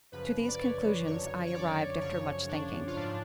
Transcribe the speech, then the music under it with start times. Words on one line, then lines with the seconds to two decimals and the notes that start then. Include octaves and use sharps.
To these conclusions I arrived after much thinking.
0.12 F#2 C#3 F3 B4
0.48 D5
0.59 C#5
1.06 F#2 D3 F#3 C#5
1.46 C#5
1.54 D5
2.01 F#2 C#3 F3 C#5
2.48 D4
2.87 F4
2.96 G#2 F3 D4